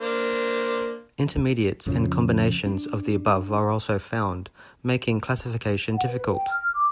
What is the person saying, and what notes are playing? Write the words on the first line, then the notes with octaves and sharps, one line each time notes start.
Intermediates and combinations of the above are also found, making classification difficult.
A#3 D4 C5
F2 C#3 F3
D4
F#5
B4
G5
F6
D6